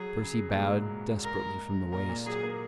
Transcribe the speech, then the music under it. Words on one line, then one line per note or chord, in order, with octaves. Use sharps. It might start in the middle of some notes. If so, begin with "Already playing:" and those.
Percy bowed, desperately, from the waist.
Already playing: F#3 G#4
C#3
A#2
G#2
A#4
A#2 A#4
A#2
F#3 G#4
A#3